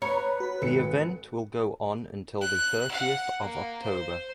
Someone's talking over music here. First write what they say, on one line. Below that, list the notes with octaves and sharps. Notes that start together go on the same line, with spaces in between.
The event will go on until the thirtieth of October.
B4 C#5 A#5 B5
F#4 B5
G#1 A4 C#7
F#6
F#5
A#3
C5